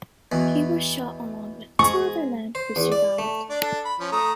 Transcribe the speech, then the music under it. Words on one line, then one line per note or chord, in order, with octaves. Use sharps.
He was shot along with two other men, who survived.
E2 B2 E3
G#2 G#4 C#6
C5
E2
D5
A3
D4 D5
D4 A4
B5
F3 C#4
A3 A#5 D#6